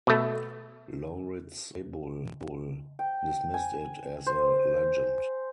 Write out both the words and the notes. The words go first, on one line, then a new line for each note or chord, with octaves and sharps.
Lauritz Weibull dismissed it as a legend.
B2 A3
G5
G#5
C5